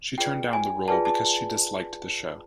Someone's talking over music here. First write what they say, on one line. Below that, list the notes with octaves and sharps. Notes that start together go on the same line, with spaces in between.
She turned down the role because she disliked the show.
F4 G#4 B4 D5 G5
G#5
F4 G#4 B4 D5 A5
A5